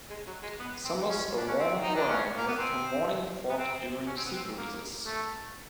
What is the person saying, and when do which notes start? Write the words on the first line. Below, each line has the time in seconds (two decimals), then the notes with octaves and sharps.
Summers are warm and dry, with some morning fog during sea breezes.
0.10 G#3
0.26 F#3
0.42 G#3
0.59 B3
0.84 C4
1.09 C#4
1.37 D4
1.47 C#4
1.59 C4
1.81 D#4
1.95 D4
2.08 C#4
2.37 A#3
2.47 B3
2.58 C4
3.49 B3
3.57 C4
4.06 C#4
4.16 C4
4.25 B3
4.35 C4
4.56 A#3
5.06 A3